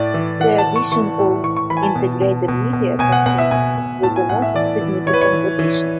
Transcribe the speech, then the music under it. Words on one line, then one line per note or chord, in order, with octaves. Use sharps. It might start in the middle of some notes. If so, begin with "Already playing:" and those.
The addition of integrated media control was the most significant addition.
Already playing: A2 D5
E3
E3 F#5
A5
E3
C#6
E3 C#6
A2
E3 C#6
C#6
E3 B5
G#5
A5
B2
B2
B2
B2
B2 G#5
F#5
B2 F#5
E5
B2 G#5
B2
A2 A5
G#5
A2 F#5
E5
E3 D5
E3
E3 C#5
B4
C#5
E3
E3